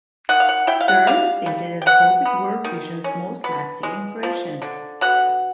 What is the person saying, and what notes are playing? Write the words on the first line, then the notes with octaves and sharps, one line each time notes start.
Stearns stated that "hope" is World Vision's most lasting impression.
D#3 F#5
F5
F#5
E4 G5
F5
F#5
G3 F5
G3
G5
B3 F#5
B3
D#3
C#4
B3
G#3
F3
D3
B2 F#5